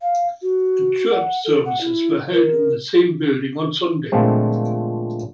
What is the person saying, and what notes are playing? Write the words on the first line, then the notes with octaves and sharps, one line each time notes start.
Church services were held in the same building on Sunday.
F5
F#4
F#5
A4
F#5
E4
A#4
A#2 D3 F3 G#3 A3 C4